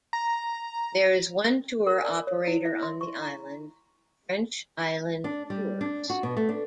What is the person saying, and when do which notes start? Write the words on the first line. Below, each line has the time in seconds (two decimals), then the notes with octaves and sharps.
There is one tour operator on the island, French Island Tours.
0.13 A#5
1.87 A#4
2.03 D5
2.27 C#5
2.48 E4
2.65 E5
2.83 C6
3.01 C#6
3.22 A#5
5.24 D4
5.50 G3
5.81 D4
6.10 F#4
6.23 B2
6.37 A3
6.49 D4